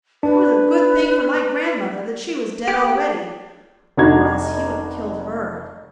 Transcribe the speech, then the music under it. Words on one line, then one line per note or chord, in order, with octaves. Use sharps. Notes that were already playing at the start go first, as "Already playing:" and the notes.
It was a good thing for my grandmother that she was dead already, or else he would have killed her!'
D4 B4
G4 G5
F1 D4 D#4 F#4 A#5 G#6